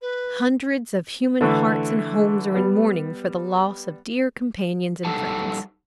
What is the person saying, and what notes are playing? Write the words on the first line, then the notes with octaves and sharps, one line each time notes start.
Hundreds of human hearts and homes are in mourning for the loss of dear companions and friends.
B4
D3 E3 A3
G3 B3
G3 D#4 G4 A4 F#5 A5